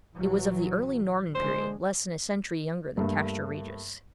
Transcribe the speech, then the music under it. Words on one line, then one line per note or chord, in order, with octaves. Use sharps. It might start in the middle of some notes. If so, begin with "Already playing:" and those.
It was of the early Norman period, less than a century younger than Castra Regis.
A#1 E3 F#3
D3 G#3 C5
G2 A3 A#3